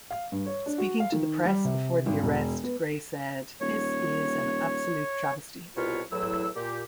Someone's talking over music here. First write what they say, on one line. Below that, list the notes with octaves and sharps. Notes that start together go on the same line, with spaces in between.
Speaking to the press before the arrest, Gray said, This is an absolute travesty.
F5
G2
C#5
D4
F#4
F5
D#3
G3
C3
G#1
E1
B3
D#1 C#5
C2 B2 F4 B4 C#5 F6
E2 A2 F#3 E4 E6
A#2 G4